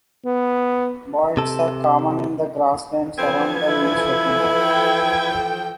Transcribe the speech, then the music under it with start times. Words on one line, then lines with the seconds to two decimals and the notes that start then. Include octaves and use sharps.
Boids are common in the grasslands around the new settlement.
0.25 B3
1.37 C3 A4
3.18 E3 F3 C4 A4 B4 G#5 G#6
3.68 E4
4.62 G5